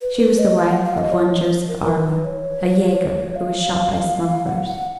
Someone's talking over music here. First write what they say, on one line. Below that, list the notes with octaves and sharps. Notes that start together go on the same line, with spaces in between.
She was the wife of one Joseph Arler, a jaeger, who was shot by smugglers.
B4
B4
D#5
F5
F#5
F5
D#5
C#5
A#4
B4
B4
C#5
F5
F#5
F#5